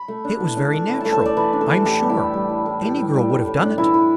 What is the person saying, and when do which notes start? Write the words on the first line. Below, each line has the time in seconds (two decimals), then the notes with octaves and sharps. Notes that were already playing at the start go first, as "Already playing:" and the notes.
It was very natural, I'm sure; any girl would have done it.'
Already playing: B5
0.08 A3
0.24 D4
0.40 E3
0.57 D4
0.73 A3
0.89 E3
1.00 A3 A5
1.12 A5
1.21 E3 D5
1.37 E3 B4
1.53 D4
1.61 A4
1.69 E3
1.85 A2 G4
2.01 G3
2.09 E4
2.17 A2
2.34 G3
2.49 A2
2.66 A2
2.82 A2 G4
2.98 G3
3.14 G3
3.30 A2
3.46 A2
3.62 D4
3.78 E3 E4
3.94 E3